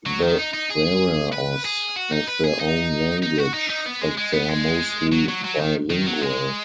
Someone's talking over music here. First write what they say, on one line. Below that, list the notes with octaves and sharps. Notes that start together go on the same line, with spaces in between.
The Waraos have their own language, but they are mostly bilingual.
F#3
D#3
D#4
D#4
G#4
B4
G#4
F#4
D#4
B4
G#4
D#4
D#4
F#4
D#4
D#4
B3
G#3
G#3
B3
G#3
F#3
F#3
F#3
D#3
D#3
F#3
G#3